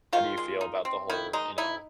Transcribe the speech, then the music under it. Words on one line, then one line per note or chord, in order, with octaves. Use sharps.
how do you feel about the whole, you know,
D#3 F4
G#3
D#4
C4
D#3 E4
G#3 D#4
D#4 E4